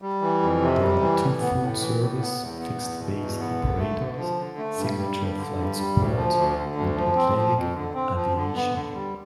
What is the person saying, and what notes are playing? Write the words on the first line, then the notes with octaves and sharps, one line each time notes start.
There are two full-service fixed-base operators, Signature Flight Support and Atlantic Aviation.
G3
E3
F2
C3
G3
E3
A2
B3
A2
E3
A2
B3
E2
B3
E2
B2
E2
B3
D3
A3
D3
F3
D3
A3
G2
G3
G2
D3
G2
G3
D2
F3
D2
D3
D2
F3
C4
F3
F2
D3
C4
F3
D3
B3
D3
G3